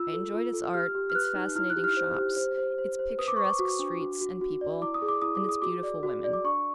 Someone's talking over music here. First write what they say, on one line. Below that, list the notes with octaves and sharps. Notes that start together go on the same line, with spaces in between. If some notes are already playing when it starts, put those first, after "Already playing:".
I enjoyed its art, its fascinating shops, its picturesque streets and people, and its beautiful women.
Already playing: F4 E6
A4
F4
A4
G4 F6
G4
F6
B4 F#6
D#4
E4 F6
F#6
G4
F6
C5
G4
C5
C5
C5
C5
B4 D#6
D6
B4 C#6
D6
F#4
D4
F#4
F#4
F#4
D5
E4 D6
D#6
G#4
D6
E4 D#6
D6
G#4
D#6
F#4 D6
D5
F#4
D5
D6
D4 C#6